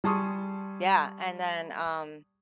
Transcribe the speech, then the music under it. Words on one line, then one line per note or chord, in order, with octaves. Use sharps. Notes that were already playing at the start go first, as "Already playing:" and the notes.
Yeah, and then, um
G3 G#4 A5 C6 C#6 D#6